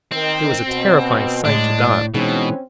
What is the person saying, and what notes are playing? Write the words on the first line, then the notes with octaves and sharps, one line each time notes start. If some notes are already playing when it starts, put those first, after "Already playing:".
It was a terrifying sight to Dot.
D#3 C4
B2
A2 G#3 D4
B2 E3 G#3 C4 C#4 D#4